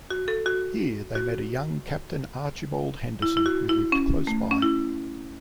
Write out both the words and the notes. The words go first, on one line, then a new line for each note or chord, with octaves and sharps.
Here they met a young Captain Archibald Henderson who lived close by.
F#4
A4
F#4
F#4
E4
E4
F#4
E4
C#4
A3
C#4
E4